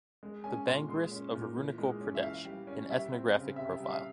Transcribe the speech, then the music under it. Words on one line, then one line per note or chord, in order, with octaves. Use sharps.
The Bangrus of Arunachal Pradesh: An Ethnographic Profile.
G#3
C#4 G#5
A#2 C6
G#3 C6
C#4
A#2
E3
G#3
C#4
E5
E3 F5
G3
C#4
G3 E5
C4
C#3
C3 E5
G3 E5
F5